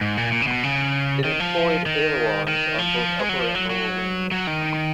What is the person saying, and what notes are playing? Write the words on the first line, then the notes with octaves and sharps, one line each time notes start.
It employed ailerons on both upper and lower wings.
G#2
A#2
A#2
C#3
B2
C#3
D#3
F3
D#3
D#3
F3
G#3
F#3
F3
F#3
F#3
F#3
D#3